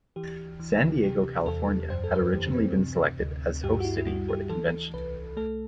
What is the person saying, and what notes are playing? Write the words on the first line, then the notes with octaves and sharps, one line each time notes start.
San Diego, California, had originally been selected as host city for the convention.
E3 G4
E3
C3 G4
E2 A4
F#2 C5
A4
B4
E3 G4
C4
C3
D2
G2 G4
F#4
E4
E4
G3 F#4
G4
E3 A4
C2 B4
A3 A4